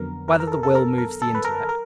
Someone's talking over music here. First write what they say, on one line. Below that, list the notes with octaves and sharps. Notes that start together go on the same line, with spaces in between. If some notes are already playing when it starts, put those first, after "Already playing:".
Whether the Will Moves the Intellect?
Already playing: F2 D3 F#3 B3 A#4
A#4
A#4
A4
A#4
A4
A#4
A#4
A4
B4
A#4
A#4